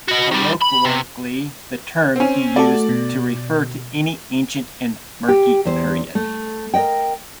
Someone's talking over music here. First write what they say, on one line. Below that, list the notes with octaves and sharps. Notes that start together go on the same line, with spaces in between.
Colloquially, the term is used to refer to any ancient and murky period.
F#4 D#5
D#3 G3
B5
C3
C4 C#4
A3 F#4 A4 D5
B2
G4
E2 C5
A3
A#4 D5 D#5 G5